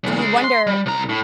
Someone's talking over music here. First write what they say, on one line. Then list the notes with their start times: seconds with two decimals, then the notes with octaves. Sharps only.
you wonder
0.04 B1 E2
0.18 C#3 G#3
0.44 C6
0.67 G3
0.86 C2 A#5
1.09 A2